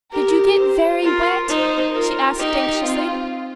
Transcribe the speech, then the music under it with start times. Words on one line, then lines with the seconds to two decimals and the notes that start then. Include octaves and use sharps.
"Did you get very wet?" she asked anxiously.
0.13 G4 A#4
0.58 C5
1.03 F4 A#4
1.49 D#4 C5
1.94 F4 A#4
2.39 D#4 G4
2.83 C4 F4